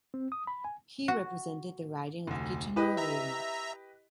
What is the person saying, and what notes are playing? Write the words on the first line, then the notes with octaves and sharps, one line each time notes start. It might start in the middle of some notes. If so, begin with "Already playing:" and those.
He represented the riding of Kitchener-Wilmot.
C4
D#6
B5
G#5
F#4
F1 D2
E4 G4 B4 D#5
E5 A#5